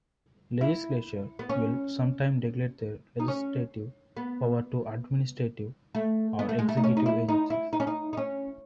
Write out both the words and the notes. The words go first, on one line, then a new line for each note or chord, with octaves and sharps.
Legislatures will sometime delegate their legislative power to administrative or executive agencies.
E4
B3
C#4
D#4
C#4
B3
A3
B3
A3
G#3
A3
D#4
C#4
D#4
E4
D#4
E4
D#4
C#4
D#4
D#4
C#4